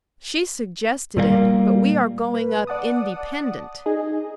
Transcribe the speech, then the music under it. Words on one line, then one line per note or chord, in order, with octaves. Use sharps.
"She suggested it, but we are going up independent."
A#2 G3 G#3 A#3
B4
D5 F#5 A5 D#6
D#4 G#4 D#5